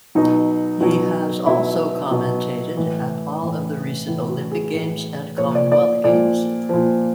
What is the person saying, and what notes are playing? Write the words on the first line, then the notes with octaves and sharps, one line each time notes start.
He has also commentated at all of the recent Olympic Games, and Commonwealth Games.
B2 F#3 D#4
B2 F#3
B2 F#3 E4
B2 F#3
A2 E3
A2 E3
A2 E3
F#4
G#4
A2 E3
A#2 F3 C#5
D5
D5
A#2 F3 D5
A#2 F3